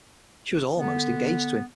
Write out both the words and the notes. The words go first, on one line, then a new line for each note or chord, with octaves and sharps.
She was almost engaged to him.
D3 B3